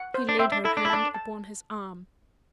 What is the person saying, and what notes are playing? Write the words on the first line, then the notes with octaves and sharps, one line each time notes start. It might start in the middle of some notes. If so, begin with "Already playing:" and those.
She laid her hand upon his arm.
Already playing: F#5
C5
D4
C4 E5
D4
E4 A4
D4
E4
D4 A5
A5